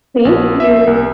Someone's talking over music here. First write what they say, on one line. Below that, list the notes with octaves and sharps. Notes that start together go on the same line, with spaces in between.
Thank you.
A#1
E5
C2